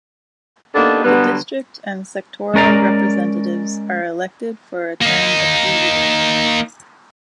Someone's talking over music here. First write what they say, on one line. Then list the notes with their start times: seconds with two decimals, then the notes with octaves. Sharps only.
The district and sectoral representatives are elected for a term of three years.
0.75 A#3 B3 D4 D#4 G4 A4
1.04 D3 F#3 G3 B3
2.54 G#3 C#4 A#4 D5 A#5
5.02 A#3 D#4